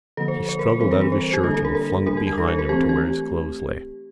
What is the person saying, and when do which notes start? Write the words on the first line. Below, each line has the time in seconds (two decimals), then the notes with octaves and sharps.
He struggled out of his shirt and flung it behind him to where his clothes lay.
0.17 D3 F3 A#3 A4
0.28 C5
0.49 C5
0.59 A#4
0.70 C5
0.80 E3 G3 C4 A#4
0.91 A4
1.01 A#4
1.12 C5
1.34 G4
1.44 D3 G3 A#3 D4 A4
1.54 A4
1.65 A#4
1.75 A#4
2.06 G3 A#3 D4 A#4
2.17 G4
2.27 G4
2.38 A4
2.48 C5
2.59 A#4
2.69 E3 A3 C4 G4
2.89 G4